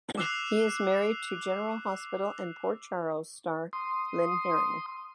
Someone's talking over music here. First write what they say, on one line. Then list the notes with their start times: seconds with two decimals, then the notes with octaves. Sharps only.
He is married to "General Hospital" and "Port Charles" star Lynn Herring.
0.18 D6 E6 F#6 C7 F7
3.73 C6 D#6